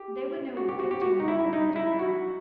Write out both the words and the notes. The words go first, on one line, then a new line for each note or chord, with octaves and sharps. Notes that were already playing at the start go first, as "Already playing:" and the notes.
They would know a good deal more than they do now.
Already playing: G4
F#4
G4
F#4
G4
F#4
D#4
E4
D#4
E4
F#4